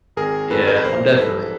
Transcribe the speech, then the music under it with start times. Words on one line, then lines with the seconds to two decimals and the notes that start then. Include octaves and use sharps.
Yeah, I'm definitely
0.17 G#1 G#4 A#4
0.50 F#2 D#3 F#3 A4 B4
0.68 A#4
0.76 B4
0.84 A#1 A#4 C5
1.17 G#2 E3 G3 A4 B4